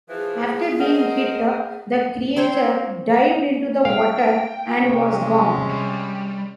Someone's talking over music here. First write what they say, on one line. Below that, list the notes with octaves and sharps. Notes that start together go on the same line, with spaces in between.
After being hit, the creature dived into the water and was gone.
E3 F3 G#4
A#4 C5 D#5 F#5
C4 C5 C#5 G5
F5 G5
C3 G#3 C#4
G3